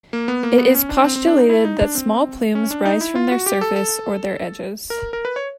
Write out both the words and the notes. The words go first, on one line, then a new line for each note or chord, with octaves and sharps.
It is postulated that small plumes rise from their surface or their edges.
A#3
B3
A#3
B3
C#4
D4
C4
C4
D4
D#4
E4
D#4
D4
C4
C#4
D4
D#4
E4
F4
F#4
G4
A4
A4
A#4
A#4
B4
C#5